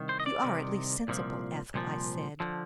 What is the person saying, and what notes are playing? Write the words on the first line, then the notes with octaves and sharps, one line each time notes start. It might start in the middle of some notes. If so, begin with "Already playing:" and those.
"You are at least sensible, Ethel," I said.
Already playing: C2 D#3
C5
D#5
D5
C2 C3 D#3
C2 A#2 F3
C2 A#2 F3
D3 F3